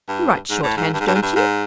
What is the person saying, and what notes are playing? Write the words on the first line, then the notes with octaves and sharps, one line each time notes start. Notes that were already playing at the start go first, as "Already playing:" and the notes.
You write shorthand, don't you?'
G2
G#2
A2
G#2
G2
G#2
G2
G#2
G2
G#2